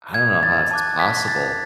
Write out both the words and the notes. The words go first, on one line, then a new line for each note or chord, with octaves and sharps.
I don't know how it's possible.
G#6
A6
A5 D6 F#6
B6
A6